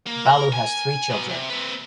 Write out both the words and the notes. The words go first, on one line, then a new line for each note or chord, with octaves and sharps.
Baloo has three children.
A#3
A#4
G#5
F#3 B3
C3
C4 B4